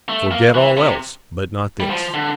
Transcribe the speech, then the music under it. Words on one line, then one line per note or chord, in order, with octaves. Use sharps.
Forget all else, but not this.
A3
A#3
E3
C3
G3
F3
D3